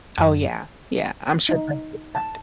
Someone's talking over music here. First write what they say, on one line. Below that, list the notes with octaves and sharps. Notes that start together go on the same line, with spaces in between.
Oh, yeah, yeah, I'm sure that's just something
F#2
D#4
A5